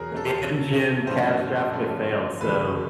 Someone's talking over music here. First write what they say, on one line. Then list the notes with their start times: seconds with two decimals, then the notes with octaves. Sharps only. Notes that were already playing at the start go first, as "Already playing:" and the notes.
the engine catastrophically failed, so,
Already playing: E2 B2 F#3 G#4 A#4
0.16 A4
0.39 E2 B2 F#3
1.07 G2 D3 F3 A3 C#4 C5
1.73 G2 D3 F3 A3 C#4
2.41 E1 D2 C#3 E3 G#3 B4